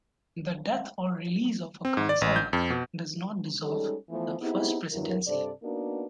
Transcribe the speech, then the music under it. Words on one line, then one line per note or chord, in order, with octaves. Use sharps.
The death or release of a counselor does not dissolve the First Presidency.
C4
G#2
D5
A1
G6
F2
B2
G3 G#3 C#4 D#4 A4
E3 F3 A3 B3
B3 C4 D#4 E4 G4 G#4
E2 G2 F#3 E4 A#4
G2 C3 A4 C5 D5
A#3 B3 D4 D#4 F#4 A#4